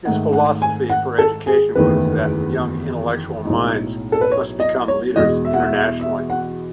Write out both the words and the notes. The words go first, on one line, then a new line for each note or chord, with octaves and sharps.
His philosophy for education was that young intellectual minds must become leaders internationally.
G#2 D#3 A3 D#4 F#5
F#5
G#5
F#5
A4
G#4
F#1 E2 D#3 A3 B4
B1 A2 G#3 D#4
A4
B4
C#5
D#5
C#5
E2 B2 G#3 D#5
E5
F#5
E5
E5
E5
F#5